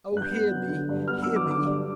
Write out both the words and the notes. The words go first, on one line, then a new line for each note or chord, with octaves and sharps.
Oh, hear me! hear me!
G2
F#6
G6
B3
F#3
D3
G2
B3 F6
F#3 E6
D6
D3
D6
G2